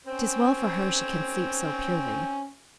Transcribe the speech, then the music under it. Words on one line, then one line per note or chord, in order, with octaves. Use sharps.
'Tis well for her she can sleep so purely.
C4 C#4 C5